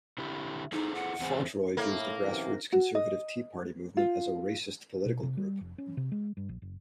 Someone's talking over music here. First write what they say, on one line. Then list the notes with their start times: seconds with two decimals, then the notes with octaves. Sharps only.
Fauntroy views the grassroots conservative Tea Party movement as a racist political group.
0.18 D3 E4 G4
0.73 D#4 E4 G#4 A4
0.95 F#5
1.20 E2 C4 G#4
1.77 A2 A#3
2.22 F#2 C3 E3
2.73 F#4
2.95 D#5
3.97 F4
5.06 B2
5.23 C3
5.37 G3
5.61 F1
5.78 C#4
5.97 C3
6.12 G#3
6.37 G2
6.49 A#1
6.62 F#1